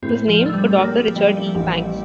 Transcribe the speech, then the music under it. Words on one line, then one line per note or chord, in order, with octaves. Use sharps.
It was named for Doctor Richard E. Banks.
A2 C4
F3
D4
A3
G3
A3
A#3 G4
G3
A1